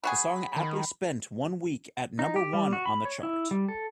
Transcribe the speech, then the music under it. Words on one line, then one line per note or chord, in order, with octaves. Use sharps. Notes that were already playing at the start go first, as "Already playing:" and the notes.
The song aptly spent one week at number one on the chart.
F#3 F#4 G#4 B5
D#3
D#4
G4
G3
F#4
B5
C#5
E4
G3
A4